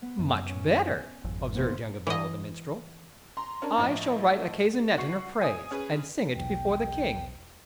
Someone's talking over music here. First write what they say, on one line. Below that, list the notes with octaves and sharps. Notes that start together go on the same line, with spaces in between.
"Much better," observed Joungevello, the minstrel; "I shall write a canzonet in her praise, and sing it before the king."
B3
F#2
C#4
G#1 F2
D#2 C3 B3
E3 D#5
A#5 C6
C#4 D4 A#4
A2 F3 D#5
F#4 C#6 C7
G#5 D#6
C#4 G#4 B4
B1 E2 G5